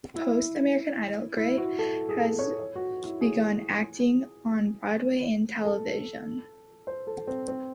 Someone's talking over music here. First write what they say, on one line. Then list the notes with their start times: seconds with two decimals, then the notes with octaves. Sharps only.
Post "American Idol", Gray has begun acting on Broadway and television.
0.16 E4
1.37 E4
1.57 F#4
1.79 A4
2.09 G#4
2.19 A4
2.39 C#5
2.59 C#5
2.75 F#4
3.05 E4
3.21 G#4
5.65 A4
6.87 C5
7.07 A4
7.27 C4
7.48 C4